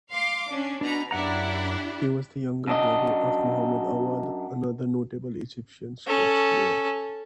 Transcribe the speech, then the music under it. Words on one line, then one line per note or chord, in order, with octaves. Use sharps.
He was the younger brother of Mohammed Awad another notable Egyptian squash player.
F5 C6 D6
C#4 D4
B2 D4 A#5 B5
F#2 D4 E4 G4 F#5 A#5
F#2 D4 D#5
C#4 A4